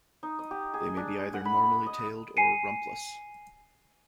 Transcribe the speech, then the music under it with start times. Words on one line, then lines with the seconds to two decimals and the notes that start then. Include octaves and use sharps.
They may be either normally tailed or rumpless.
0.23 D#4
0.39 D#5
0.51 G4
0.74 G#4
0.97 D4
1.34 F#5
1.45 B5
1.86 D#5
2.37 G#5 C7 C#7 D#7